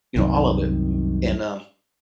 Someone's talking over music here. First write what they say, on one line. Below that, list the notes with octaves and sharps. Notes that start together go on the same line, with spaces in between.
you know, all of it m and, uh,
C2 F#2 C3 D#3